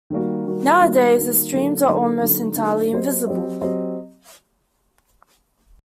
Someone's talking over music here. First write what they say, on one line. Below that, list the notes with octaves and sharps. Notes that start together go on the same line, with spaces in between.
Nowadays, the streams are almost entirely invisible.
D#3 G3 A#3 F#4
D#3 G3 A#3 F#4
D#3 G3 A#3 F#4
D#3 G3 A#3 F#4
D3 F#3 A#3 D#4 A4
D3 F#3 A#3 D#4 A4
D3 F#3 A#3 D#4 A4
D3 F#3 A#3 D#4 A4
F#3 C4 G4 C5 D#5
F#3 C4 G4 C5 D#5
F#3 C4 G4 C5 D#5